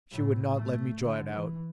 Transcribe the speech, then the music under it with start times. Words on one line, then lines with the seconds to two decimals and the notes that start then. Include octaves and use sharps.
She would not let me draw it out.
0.12 A2
0.55 A3
1.01 D3
1.31 E3